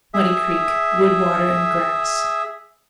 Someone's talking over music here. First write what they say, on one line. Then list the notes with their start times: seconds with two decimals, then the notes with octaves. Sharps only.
Muddy Creek.--Wood, water, and grass.
0.14 G#4 E5